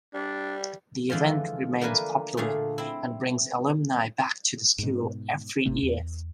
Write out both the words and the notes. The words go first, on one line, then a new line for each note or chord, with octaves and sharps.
The event remains popular and brings alumni back to the school every year.
G3 D4
D3 E3 F3 G#3 F4
A3 A#3 D4 A#4 B4 G#5
A#2 D3 A3 G#4 F5
C4 E4
G#2 B2
G#1 C3 A3 C4
E2